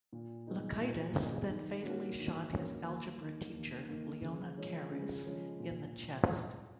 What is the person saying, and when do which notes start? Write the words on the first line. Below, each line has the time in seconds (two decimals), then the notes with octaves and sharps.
Loukaitis then fatally shot his algebra teacher Leona Caires in the chest.
0.13 A#2
0.47 G#3 B3 D#4
0.82 A#2
1.16 G#3 B3 D#4
1.50 D#3
1.84 A#3 C#4 F#4
2.18 D#3
2.52 A#3 C#4 F#4
2.86 D#2
3.21 D#3 A#3
3.54 D#2
3.89 D#3 A#3
4.23 C#3
4.57 F3 G#3 C#4
4.91 C#3
5.26 F3 G#3 C#4
5.60 A#2